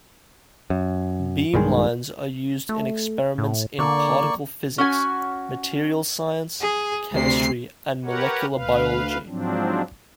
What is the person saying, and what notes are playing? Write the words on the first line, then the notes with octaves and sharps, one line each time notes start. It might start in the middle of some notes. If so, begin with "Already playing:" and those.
Beamlines are used in experiments in particle physics, materials science, chemistry, and molecular biology.
F#2
B1 G2 D#3 G#3
A3
A2
D3 A#3 D5 C#6
C#4 F#4 G#5
G#4
D2 C3 C7
G4 A#4 B4 C#5 F#5
D2 B4 F5
G#2 F3 F#3 C4 D4